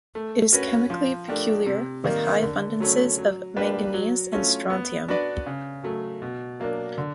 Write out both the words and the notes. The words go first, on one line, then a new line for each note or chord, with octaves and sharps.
It is chemically peculiar, with high abundances of manganese and strontium.
A3
C#4 F#4 B4
F3
A3 D4 G4 A#4
C3
D#3 G3 A#3
D3
F#3 A3 C#4
F#3
A#3 D4 G4 B4
F#3
A3 C#4 F4
B3
D4 F#4 B4 D5
C#3
F#3 A3
B2
F#3 A#3 D4
D3